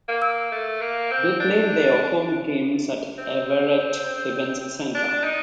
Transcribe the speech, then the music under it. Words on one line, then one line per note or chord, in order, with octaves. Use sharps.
They played their home games at Everett Events Center.
A#3
A3
A#3
C4
D4
C4
D4
D#4